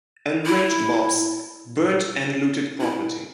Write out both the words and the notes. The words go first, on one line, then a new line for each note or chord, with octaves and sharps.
Enraged mobs burnt and looted property.
E4
E4